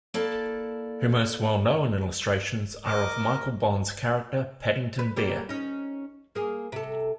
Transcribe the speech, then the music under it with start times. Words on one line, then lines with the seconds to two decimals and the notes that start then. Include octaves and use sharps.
Her most well-known illustrations are of Michael Bond's character, Paddington Bear.
0.14 A#3 E4 A4 D5 A5
2.85 A#4 D#5 D6
4.99 B4
5.16 G3 A#3 D5
5.49 C#4 D#4
6.35 A#3 G#4
6.72 C3 A4